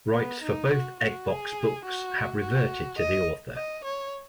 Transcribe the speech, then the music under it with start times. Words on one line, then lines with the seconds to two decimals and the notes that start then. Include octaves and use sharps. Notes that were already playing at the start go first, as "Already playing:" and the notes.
Rights for both Eggbox books have reverted to the author.
0.14 B3
0.43 D#4
0.70 F#4
1.00 F#4
1.28 G#4
1.85 F#4
2.41 F#4
2.98 D#5
3.55 D#5
3.84 C#5